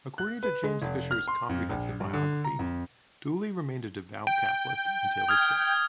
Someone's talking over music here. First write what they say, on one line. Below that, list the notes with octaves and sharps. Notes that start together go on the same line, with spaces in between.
According to James Fisher's comprehensive biography, Dooley remained a devout Catholic until his death.
F#6
B4
G#3
F1
F6
C6
F2
A#1
G2
D3
A#5
F2
G5
D#6 F6 G#6